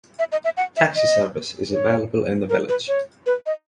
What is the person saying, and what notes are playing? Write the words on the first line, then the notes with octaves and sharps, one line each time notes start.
Taxi service is available in the village.
E5
D#5
E5
F#5
E5
D#5
C#5
A#4
B4
C#5
B4
D#5